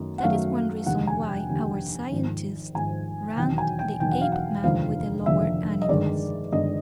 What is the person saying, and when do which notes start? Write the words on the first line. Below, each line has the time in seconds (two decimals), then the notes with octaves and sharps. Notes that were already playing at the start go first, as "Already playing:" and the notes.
That is one reason why our scientists ranked the Apeman with the lower animals.
Already playing: F#2 D#3 F#3 A3
0.18 F#5
0.23 F#2 D#3 F#3 A3 F5
0.86 F1 D#2 D3 G3 F#5
1.07 G#5
1.28 G5
1.48 F1 D#2 D3 G3
2.12 G#1 G#2 F3
2.74 G#1 G#2 F3 G#5
3.37 E1 D#2 D#3 F#3 G5
3.58 G#5
3.79 G5
4.00 E1 D#2 D#3 F#3 G5
4.12 F#5
4.21 F5
4.32 F#5
4.64 F1 D#2 D3 F3 F5
5.26 F1 D#2 D3 F3 E5
5.82 D#5
5.88 G1 G2 D#3 G#3 D5
6.52 G1 G2 D#3 G#3 D#5